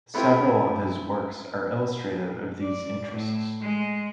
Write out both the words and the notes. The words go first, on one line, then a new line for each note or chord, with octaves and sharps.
Several of his works are illustrative of these interests.
A3 B3 C4 E4 F4 G4
D5
A2
G#3